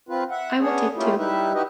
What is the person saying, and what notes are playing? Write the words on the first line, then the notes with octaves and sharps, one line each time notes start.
I will take two.
C4 F4 B4
E5 F#5
B3 C#4 D4 G#4 C#5
A3 A#3 C#4 E4 F4 G4
G3 D#4 E4 B4 E5
D#4 E4 F#4 G4 B4 D#5